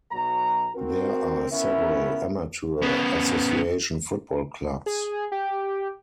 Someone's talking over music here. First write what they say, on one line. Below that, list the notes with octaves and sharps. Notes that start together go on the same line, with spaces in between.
There are several amateur association football clubs.
B1 B2 F#3 A#5
C4 F#4 A#4
B3 C#4 E4 A#4 E5
C#3 B3
G#4
G4